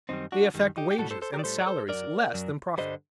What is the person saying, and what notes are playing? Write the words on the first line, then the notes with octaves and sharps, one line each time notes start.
They affect wages and salaries less than profits.
F#2 D#3 G3 C4 D#4
D4 F#4
F#2 D#3 G3
D#4 G4
G4
A2 G3 F#4 A4
A4 C5
A4 C5
G4 A#4
D5
A2 G3 A4 C5
D5
A4 C5
F#2 F#3 A#4 D5
F#2 F#3
G2 D3 G3 C5 D#5